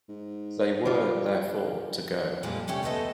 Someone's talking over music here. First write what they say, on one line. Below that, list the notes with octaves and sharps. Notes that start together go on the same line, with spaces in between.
They were, therefore, to go.
G#2
F3 G3 F4
F2 A#2 F3 G3 G#3 A#3
C3 G3 A3 C#4 G4
D2 A3 B3 A4 D#5 A5